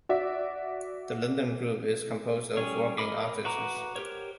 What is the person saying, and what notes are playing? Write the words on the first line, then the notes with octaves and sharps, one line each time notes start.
The London Group is composed of working artists.
F#4 D5 E5
G3 C#4 G#4 C#5
A#4 D#5 B5 D6
F#4 B4 A#5 D6
G4 A#4 C5 C#5